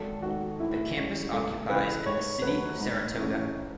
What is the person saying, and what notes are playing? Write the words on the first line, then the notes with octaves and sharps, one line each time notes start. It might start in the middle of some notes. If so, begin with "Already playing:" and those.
The campus occupies in the city of Saratoga.
Already playing: G#1 A4
G#2 D#3 F#4
A2 E4
G#3 C#4
C#2 A4
C#3 E3 G#3 B4
G#2 C#5
F#3 A3 B4
G#2
E3 A3 C#4